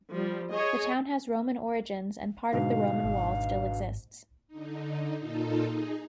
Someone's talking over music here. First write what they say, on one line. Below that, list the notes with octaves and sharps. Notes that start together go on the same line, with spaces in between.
The town has Roman origins and part of the Roman wall still exists.
F3 G3
G#4 C#5 D#5
G#2 B2 D3 F5
G#1
D3 D#4
A#2 D#4 F4 A4
D#4 G#4